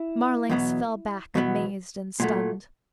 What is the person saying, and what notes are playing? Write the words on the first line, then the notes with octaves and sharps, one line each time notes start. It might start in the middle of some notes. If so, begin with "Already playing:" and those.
Marlanx fell back amazed and stunned.
Already playing: E4
E2 B2 F#3 B3
E2 B2 F#3 B3
A#2 F#3 A3